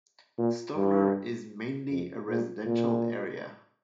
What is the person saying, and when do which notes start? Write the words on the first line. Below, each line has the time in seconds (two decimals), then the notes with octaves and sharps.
Stovner is mainly a residential area.
0.38 A#2
0.76 G2
1.90 F2
2.28 A#2
2.66 A#2